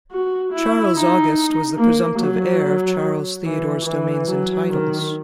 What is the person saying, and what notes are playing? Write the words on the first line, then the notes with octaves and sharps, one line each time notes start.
Charles August was the presumptive heir of Charles Theodore's domains and titles.
F#4
E4
D#4
A#3
F#3
E3
E3
F#3
D#3